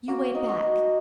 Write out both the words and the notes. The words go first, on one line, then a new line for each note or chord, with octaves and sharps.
You wait back.
A#3 F#4
D#4
F#4
D#4